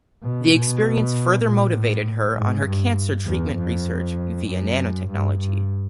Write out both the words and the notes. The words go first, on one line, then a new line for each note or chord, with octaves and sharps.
The experience further motivated her on her cancer treatment research via nanotechnology.
B2
B2
A#2
A2
G#2
G2
E2
F2
F#2
G2
G2